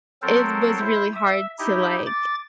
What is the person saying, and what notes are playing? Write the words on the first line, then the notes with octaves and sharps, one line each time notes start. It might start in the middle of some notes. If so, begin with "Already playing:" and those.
it was really hard to, like,
F#3 C4 A4 A#4 C5
E4 C5
E5
D#4 E4 G4
D6 A6